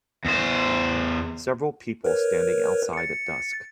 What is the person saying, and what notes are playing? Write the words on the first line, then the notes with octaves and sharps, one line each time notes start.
Several people standing outside at dusk.
E2 C5
A#4 B4 C#5
A6 C#7